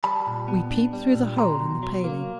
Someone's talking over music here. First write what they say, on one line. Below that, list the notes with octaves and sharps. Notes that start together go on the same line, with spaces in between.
We peeped through the hole in the paling.
G3 A5 B5
A#2
B3
D4
G3
A#2
B2 A#5 C6
B1
F#3
A#3